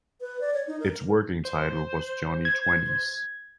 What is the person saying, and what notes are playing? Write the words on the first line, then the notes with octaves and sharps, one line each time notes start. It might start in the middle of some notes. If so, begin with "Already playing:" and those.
Its working title was "Johnny Twennies".
B4
D5
C#5
D#4
A#4
A#4
C5
G#6